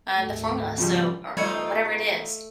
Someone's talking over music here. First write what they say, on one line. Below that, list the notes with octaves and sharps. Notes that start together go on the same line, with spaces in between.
uh, the formula. So or, you know, whatever it is,
G#1 D2 A3
C#3 F3 G3
B2 G3 A3 D#4 F4 G#6 C#7